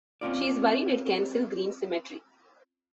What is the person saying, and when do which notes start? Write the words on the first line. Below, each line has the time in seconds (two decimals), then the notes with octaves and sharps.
She is buried at Kensal Green Cemetery.
0.21 C4 C#4 F4 D5